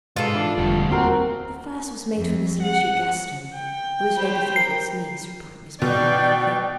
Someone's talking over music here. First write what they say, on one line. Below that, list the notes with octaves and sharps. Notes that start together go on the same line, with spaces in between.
"The first was made for Miss Lucia Gaston, who is Lady Theobald's niece," replied Miss Belinda mildly.
G#2 B2 F4 A4
E3 D4
F1 D2 G3
D#2 C4 F#4 A#4 F#5
F2
F#5
G5
G4 C5 B5
A#4 C7
B2 D5 G5